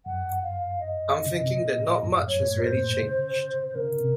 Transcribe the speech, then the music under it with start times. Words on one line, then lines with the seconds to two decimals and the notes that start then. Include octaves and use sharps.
I'm thinking that not much has really changed.
0.06 F#2 F#5
0.43 F5
0.80 D#5
1.26 C#3
1.40 C3
1.53 A#2
1.78 A2
2.03 F#2
2.28 F#2 C#5
2.47 A2
2.59 A#4
2.64 A#2 C5
3.02 C#3
3.68 C5
3.75 C#3 A#4
4.01 C3